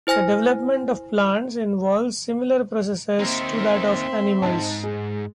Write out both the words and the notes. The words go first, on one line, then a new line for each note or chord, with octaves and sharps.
The development of plants involves similar processes to that of animals.
E4 C5 G#5 F6 A#6
A#3 C4 D#4 E5 C6
B1 G#2 D#4 A5
G#3